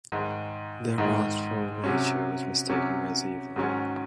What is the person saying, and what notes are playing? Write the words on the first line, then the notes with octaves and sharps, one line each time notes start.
Their wrathful nature was mistaken as evil.
G#2 D#3 G#3
G#2 D#3 G#3
C3 F#3 C#4
C3 F#3 C#4
G#2 D#3 F#3 C#4